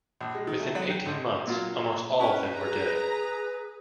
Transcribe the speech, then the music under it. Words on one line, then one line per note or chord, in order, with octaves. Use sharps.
Within eighteen months almost all of them were dead.
A#1
G#3
D#3
A3
F#3
G5
G#1
A#2 F#3 F4
C#4 E4 B4 C#6
G#4 A#5